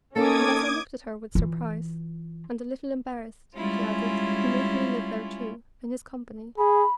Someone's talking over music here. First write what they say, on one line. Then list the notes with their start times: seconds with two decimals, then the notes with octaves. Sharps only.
And as I looked at her with surprise, and a little embarrassed, she added, "He made me live there too, in his company."
0.16 A#3 C#4 D#4 A4 D6 D#6 G#6
1.35 E3 F4
3.55 G3 G#3 C#4 E4 F4
6.58 G#4 B5